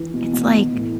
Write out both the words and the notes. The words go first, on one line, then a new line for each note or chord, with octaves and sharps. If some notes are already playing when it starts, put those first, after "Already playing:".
it's like
Already playing: E3
B2
B2
E3
A2